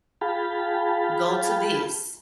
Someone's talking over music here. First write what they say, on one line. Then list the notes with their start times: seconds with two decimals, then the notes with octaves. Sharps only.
"Go to this,
0.21 F4 G#4 F5 G5 A5 B5